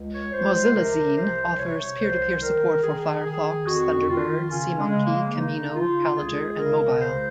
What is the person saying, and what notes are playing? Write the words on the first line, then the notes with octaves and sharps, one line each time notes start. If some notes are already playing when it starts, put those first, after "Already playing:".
MozillaZine offers peer-to-peer support for Firefox, Thunderbird, SeaMonkey, Camino, Calendar and Mobile.
Already playing: C#2
C#5
C#2 C5
C3 A#4
C2 C5
C3 C#5
C2 C5
D#3 A#4
D#3 G#4
D#3 G#4
F2 F#4
D#3 F4
C#3 C#4
G#3
C#3
A#3
C#3 D#4
C#3 F4
C#2 G#4
C#3 A#4
C#2 C5